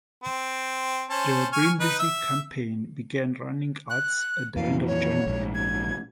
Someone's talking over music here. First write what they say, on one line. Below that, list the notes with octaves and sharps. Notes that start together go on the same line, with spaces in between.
The Brindisi campaign began running ads at the end of January.
C4
C#4 C5 A5
G#5 C#6 F6
D#4 B4
E5
F#6
F2 A#2 E3 F5
C#5
A#1 G#2
G#6